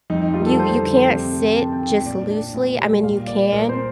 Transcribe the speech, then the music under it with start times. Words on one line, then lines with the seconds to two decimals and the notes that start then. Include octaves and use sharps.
you you can't sit just loosely, I mean, you can,
0.10 F2 D#4
0.22 D#4
0.34 G3 F4
0.46 A4
0.58 F2 C5
0.83 D3
1.08 C3
1.32 A3
1.56 C4 A5
1.73 G5
1.80 D#3
2.05 A#2 D5
2.29 D4
2.54 A#2
2.79 G3
3.03 A#2 F5
3.27 A#3 D5
3.52 A#2 A#4
3.69 C5